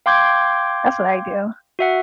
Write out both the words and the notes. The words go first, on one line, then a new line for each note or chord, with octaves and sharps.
that's what I do.
F5 G5 C6 D6 G6 G#6
F#4 E5 F#5